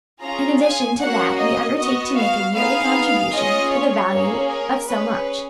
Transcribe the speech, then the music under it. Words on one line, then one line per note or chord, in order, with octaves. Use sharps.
In addition to that we undertake to make a yearly contribution to the value of so much.
C#4 F4 G#4 A#5
G#5
A#3 C#4 F#4 F#5
D#5
B3 F#4 D#5
F5
B3 D#4 G#4 F5
C#4 F4 G#4 D#5
C#5
A#3 C#4 G#4
A#4
C#4 G#4 B4